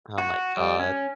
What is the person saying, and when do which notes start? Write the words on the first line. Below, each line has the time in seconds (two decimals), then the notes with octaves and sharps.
Oh my god.
0.18 F#4
0.57 G3
0.79 C#4